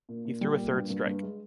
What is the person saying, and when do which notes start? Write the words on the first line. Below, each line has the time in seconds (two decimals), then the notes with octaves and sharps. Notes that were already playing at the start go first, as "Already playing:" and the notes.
He threw a third strike.
0.09 A#2
0.25 A#2
0.41 G3
0.58 A#2
0.74 G2
0.90 G2
1.06 G2
1.23 G#3